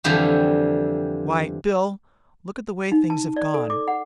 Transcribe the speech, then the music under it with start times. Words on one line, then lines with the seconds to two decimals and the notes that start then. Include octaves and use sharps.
Why, Bill, look at the way things have gone!
0.04 F2 D3 E3 F3 G3
2.92 D#4
3.10 A5
3.36 D5
3.54 A4
3.70 D6
3.88 F#5